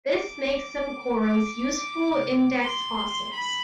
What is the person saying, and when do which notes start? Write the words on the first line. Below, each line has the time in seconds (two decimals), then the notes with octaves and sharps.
This makes some corals useful index fossils.
0.14 D6
1.21 D6
2.62 C6
3.33 B5